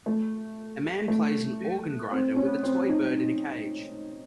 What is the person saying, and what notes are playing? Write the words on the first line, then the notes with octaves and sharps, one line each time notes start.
A man plays an organ grinder with a toy bird in a cage.
A3
A3
C4
C#4
C4
D#4